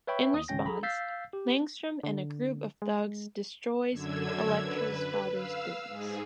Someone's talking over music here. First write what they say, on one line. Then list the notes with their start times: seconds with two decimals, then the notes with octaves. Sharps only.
In response, Langstrom and a group of thugs destroys Elektra's father's business.
0.07 B4 C#5 E5 G5 B5 C#6
0.34 D#2 D#6
0.48 G#1 C#2 C#4 G5 A#6
0.66 G#4 A4 A#5 B5
0.83 F5 E6 G6 A6 B6 C7
1.33 G4
2.03 D3
2.82 G#3
3.90 F#2 D3 E6 G#6
4.61 B4
5.31 F5 E6
5.87 G#2 G#4